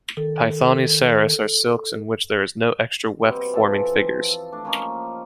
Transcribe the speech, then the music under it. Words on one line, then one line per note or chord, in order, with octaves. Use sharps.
Paithani saris are silks in which there is no extra weft forming figures.
D#3 A4
B2 G3 C4
E3 F3 A4
A3 D4
F3 A#3 C#4 D#4